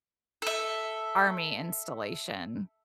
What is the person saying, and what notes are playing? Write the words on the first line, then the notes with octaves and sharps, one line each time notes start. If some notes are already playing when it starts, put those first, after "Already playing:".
Army installation.
A4 E5